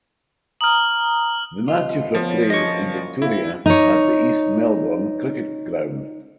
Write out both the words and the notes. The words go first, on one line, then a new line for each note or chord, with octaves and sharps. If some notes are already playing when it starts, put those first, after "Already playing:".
The matches were played in Victoria at the East Melbourne Cricket Ground.
A#5 D#6 F6 F#7
C2 B2 F4 D#5
F3 B3 C#5
F#2 C#5 D#5
F#2 A#2
C4 E4 F4
D#4 C#5